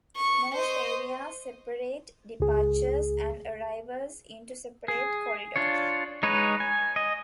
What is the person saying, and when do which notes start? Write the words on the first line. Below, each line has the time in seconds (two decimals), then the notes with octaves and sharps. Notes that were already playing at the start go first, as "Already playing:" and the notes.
Most areas separate departures and arrivals into separate corridors.
0.17 C#6
0.55 C5 D#5
2.40 C#2 G#4
4.88 G#4
5.56 D4 F4 C#5
6.23 G#3 D#4 B4 C#5
6.60 G#5
6.96 D#5